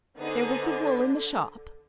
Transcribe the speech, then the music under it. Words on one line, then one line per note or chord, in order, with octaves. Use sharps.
There was the wool in the shop.
D3 B3 D#4 G#4 C5